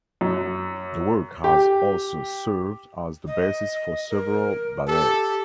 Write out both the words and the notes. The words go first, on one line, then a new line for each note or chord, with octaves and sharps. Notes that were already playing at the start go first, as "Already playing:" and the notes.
The work has also served as the basis for several ballets.
F#2
G4
D#5
A#4
G4 A4